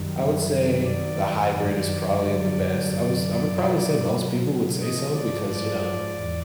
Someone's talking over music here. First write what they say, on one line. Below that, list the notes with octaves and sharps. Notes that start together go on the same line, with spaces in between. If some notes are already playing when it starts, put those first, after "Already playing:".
I would say the hybrid is probably the best. I was I would probably say most people would say so because, you know,
Already playing: F#2 D#3 G3
F#2 D#3 F#3 D5
D5
F#2 D3 F#3 D5
B2 F#3
G#2 F3 D#5
D5
D5
E2